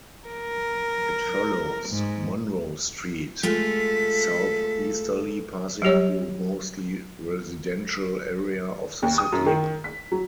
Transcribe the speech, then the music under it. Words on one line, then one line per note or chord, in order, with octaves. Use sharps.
It follows Monroe Street southeasterly passing through mostly residential area of the city.
A#4
G#2
G#3 A3 F4 A4 B6
F#3 G3 G4 C#5
D#2
D#6
F#2
D#3
B6
F#3